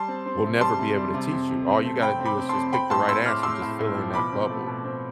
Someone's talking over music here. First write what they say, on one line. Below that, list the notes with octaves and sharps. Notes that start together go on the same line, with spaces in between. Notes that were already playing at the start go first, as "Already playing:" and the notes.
will never be able to teach you. All you gotta do is just pick the right answer, just fill in that bubble.
Already playing: G3 A5 C6
C4
C4
C3
G3 A5 C6
C3
G3
C3
F2
F2
C4
A3
C4 G5 B5
C4
B5 D6
C4
A5 C6
F2
C4 G5 B5
A2 A5 C6
C4 C6 E6
A2 D6 F6
D6
A2 C6 E6
A2
A2
F3
B2 B5 D6
C4
A3
B2
C4